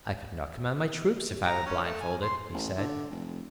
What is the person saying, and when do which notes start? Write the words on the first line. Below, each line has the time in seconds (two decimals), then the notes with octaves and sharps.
"I could not command my troops if I were blindfolded," he said.
1.46 A#5
1.66 C#4
1.83 A3
2.00 G#5
2.23 C6
2.54 A1
2.77 D3
3.10 F1